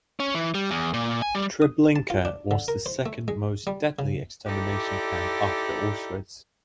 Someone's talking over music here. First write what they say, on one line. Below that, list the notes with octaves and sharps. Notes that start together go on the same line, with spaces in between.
Treblinka was the second most deadly extermination camp after Auschwitz.
C#4
E3
G3
E2
A#2
G#5
G3
D#6
A5
F4
D4
D3
A#4
C5
A3
G#3
G3
C#3
D#4 E4 G4 A4 D5